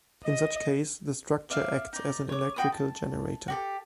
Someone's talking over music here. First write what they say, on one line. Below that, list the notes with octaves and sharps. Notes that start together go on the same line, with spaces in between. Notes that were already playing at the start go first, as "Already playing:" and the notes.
In such case, the structure acts as an electrical generator.
D#5
D5 E5 F5
D#4 D5
C#5 D6
F#4 G5 B5 D#6
A5
F#4 G4 A4